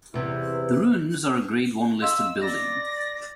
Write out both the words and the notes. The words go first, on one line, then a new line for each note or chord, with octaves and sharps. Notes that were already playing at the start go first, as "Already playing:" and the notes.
The ruins are a Grade One listed building.
E2 C3 E4 B4
D#5 F5 C6 E6
D5 A#6